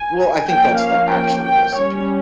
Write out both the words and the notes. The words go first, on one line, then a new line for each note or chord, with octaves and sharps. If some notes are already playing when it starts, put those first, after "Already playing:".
Well, I think that's the actual recipe,
Already playing: G#5
F3 A#3 C#4 G5
F5
G5
G5
G3 C#4 C#5